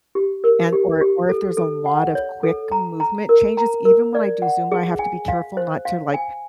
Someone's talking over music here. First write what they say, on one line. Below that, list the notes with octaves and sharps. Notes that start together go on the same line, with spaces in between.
And or or if there's a lot of quick movement changes, even when I do Zumba, have to be careful not to, like
G4
A#4
G4
G4
A4
A4
F#5
C#5
A4
A#5
A#5
A#4
A#5
A#4
D5
F#5
G#4
G#5
F5
C5
F5
G#5